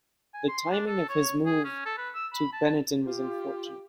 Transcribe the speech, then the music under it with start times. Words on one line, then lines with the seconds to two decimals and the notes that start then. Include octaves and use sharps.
The timing of his move to Benetton was unfortunate.
0.34 G#5
0.48 C6
0.71 D4
0.87 A4
1.09 C#5
1.46 G#4
1.64 C#4
1.86 A4
1.98 B4
2.15 E6
2.33 B5
2.53 A5
3.07 F4 G4